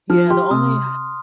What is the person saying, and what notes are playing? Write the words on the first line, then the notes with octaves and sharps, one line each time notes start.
Yeah the only
F3 F6
G4 C6
C3 D#6